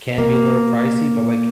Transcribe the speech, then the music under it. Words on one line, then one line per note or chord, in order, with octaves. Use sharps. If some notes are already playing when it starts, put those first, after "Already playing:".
can be a little pricey, but like
A#3